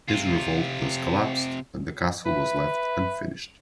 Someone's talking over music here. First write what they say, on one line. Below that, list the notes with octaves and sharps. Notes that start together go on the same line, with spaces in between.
His revolt thus collapsed and the castle was left unfinished.
C3 F4
B4 E5